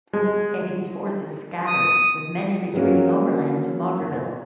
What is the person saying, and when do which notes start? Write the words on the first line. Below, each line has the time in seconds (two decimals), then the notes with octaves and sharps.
Eddy's forces scattered, with many retreating overland to Maugerville.
0.13 G#3
1.67 D#6
2.74 F#3 G#3 A#3 C#4 F#4